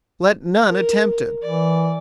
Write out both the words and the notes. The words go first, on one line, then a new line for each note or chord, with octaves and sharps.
Let none attempt it.
A#4
E3 D5